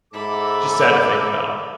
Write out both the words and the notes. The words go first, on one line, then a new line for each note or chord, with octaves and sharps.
just sad to think about.
G#2 A4 E5 A#5 B5 D6